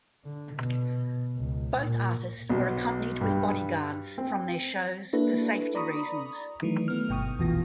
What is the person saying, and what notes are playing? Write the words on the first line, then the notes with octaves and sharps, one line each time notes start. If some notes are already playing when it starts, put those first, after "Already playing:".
Both artists were accompanied with bodyguards from their shows for safety reasons.
D3
B2
C#2
A#2
B1
G2
C4
A#3 D4 E4 F#4 A4 B4
D5 A#5 B5 C#6 D#6
D#3 E3 F#3 A3
A3 B3 F6
G1 B2 G5 C#6 D#6
A#1 E2 B2 E3 F4 A#6